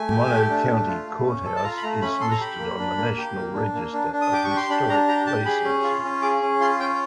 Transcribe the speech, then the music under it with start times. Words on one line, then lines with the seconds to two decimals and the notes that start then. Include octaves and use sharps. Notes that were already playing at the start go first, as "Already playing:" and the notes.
The Mono County Courthouse is listed on the National Register of Historic Places.
Already playing: A3 G#5
0.10 G4
0.30 A3
0.50 D4
0.69 A3
0.88 F4
1.06 A3
1.26 C#4
1.45 A4
1.56 A5
1.63 F4 A#5
1.77 B5
1.83 A3 A#5
2.02 C#4 B5
2.21 A4 C6
2.31 A#5
2.40 G4 B5
2.59 A#3
2.79 D4
2.97 A#3
3.17 G4
3.36 A#3
3.55 D4
3.74 A#3
3.93 D4
4.13 D4
4.21 D#6
4.31 G4 D6
4.45 C#6
4.50 G4
4.57 C6
4.69 D4 B5
4.89 D4 A#5
5.08 G4 A#5
5.26 G4 A5
5.45 G#4 B5
5.65 C#4
5.84 F4
6.03 C#4
6.22 G#4 D6
6.41 C#4
6.60 F4 C6
6.79 C#4 G5